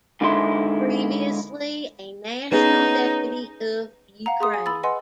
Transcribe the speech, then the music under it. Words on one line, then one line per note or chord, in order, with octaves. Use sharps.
Previously a national deputy of Ukraine.
G#2 D3 D#3 G#3 E4 C6
B3 C#4 D#4 G#4
F5 F#5 A#5
G#4 C6 D#6
G#5
B5 E6 A6
B4 D#5 F#5 G#5 C6